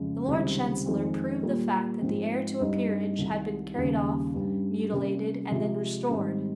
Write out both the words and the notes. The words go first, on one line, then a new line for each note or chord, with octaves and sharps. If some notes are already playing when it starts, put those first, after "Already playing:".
The Lord Chancellor proved the fact that the heir to a peerage had been carried off, mutilated, and then restored.
Already playing: F2 C#3 G#3
C#2 C3 D#3 G3 C4
F2 D#3 G#3 C4
A#2 G3 A#3
G#2 F3 C4
G2 G3 C4 D#4
C2 C3 D#3
D#2 C#3 G3 C#4
G2 G3 C#4
C3 G3 A#3 C#4
C3 F3 G#3
G#2 D#3 G3 C4 D#4